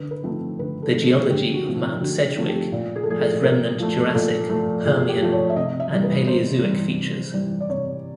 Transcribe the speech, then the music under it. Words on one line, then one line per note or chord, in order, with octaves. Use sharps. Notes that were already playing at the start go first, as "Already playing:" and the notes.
The geology of Mount Sedgwick has remnant Jurassic, Permian and Palaeozoic features.
Already playing: D3 B4
B4
F3 A3 C4 D#4
D3 B4
A4
F3 A3 C4 D#4
G#4
D3 G4
F#4
F3 A3 C4 D#4
F4
D3 F#4
F3 A3 C4 D#4
G4
A#2
G#4
A4
F3 A3 G#4
A4
A#2 A#4
F3 A3
A#2 A4
F3 A3
A#2 G#4
G4
F3 A3
C#5
E5
C3 D#5
E5
E3 G3
B4
C3 C5
E3 G3
C3
E3 G3
D5
C3 C#5